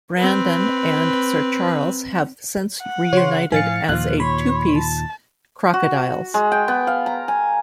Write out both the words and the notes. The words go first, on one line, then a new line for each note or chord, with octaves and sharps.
Brandon and Sir Charles have since reunited as a two-piece; Crocodiles.
C4 B4
F#5
C#3 C#5 C6
A2 F3 F5 G#5 A6 C#7
D#2 A#2 F3 F4 F#6
C#5 B5 C6
A5
F#4
G#3
G5
B3
F5
A#5
G#5